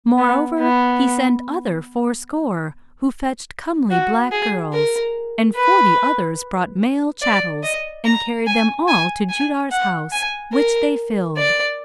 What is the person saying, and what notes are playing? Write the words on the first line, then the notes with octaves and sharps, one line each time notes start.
Moreover, he sent other four score, who fetched comely black girls, and forty others brought male chattels and carried them all to Judar's house, which they filled.
B3
B3
F#4
G#4
A#4
B4
D5
D#5
A#5
G#5
G#5
G#5
F#5
G#5
A#4
D5